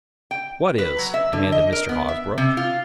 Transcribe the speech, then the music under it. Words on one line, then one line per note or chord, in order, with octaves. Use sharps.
"What is?" demanded Mr. Hosbrook.
G5
B4
F#3
E5
D3
D#5
A#4
B3
E5
C3
F4